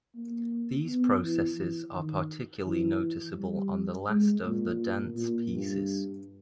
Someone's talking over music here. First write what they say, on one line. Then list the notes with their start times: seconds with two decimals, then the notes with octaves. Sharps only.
These processes are particularly noticeable on the last of the "Dance" pieces.
0.16 A#3
0.87 B3
1.23 E3
1.58 E3
1.94 D#3
2.66 E3
3.38 G3
4.09 G#3
4.45 A#2
5.16 A#2
5.52 G2